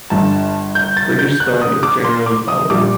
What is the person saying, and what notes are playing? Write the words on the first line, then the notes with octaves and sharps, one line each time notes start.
British spelling is generally followed.
G1 G2 D3 A5
G6
A6
G6
F#6
D#6
D6
C6
D6
D#6
A#1 A#2 G3 D6